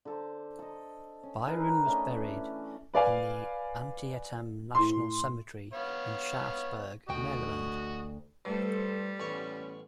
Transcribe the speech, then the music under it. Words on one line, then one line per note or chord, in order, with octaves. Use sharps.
Byron was buried in the Antietam National Cemetery in Sharpsburg, Maryland.
D3 A4 C5
A4 D#5
C#4
D#4 G#4 A#4 B4
A3 C#4 D4 D#5
E3
B4 D5 F5 G#5
A2 C6
B3 C#5 F5
D2 F#4 D#5 G5
G2 G3 A3 A4 C5
A1 B3 C#4 C#5 C#6